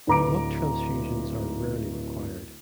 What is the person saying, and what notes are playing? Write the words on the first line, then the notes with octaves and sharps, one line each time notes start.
Blood transfusions are rarely required.
D1 B4 A#5 D6 D7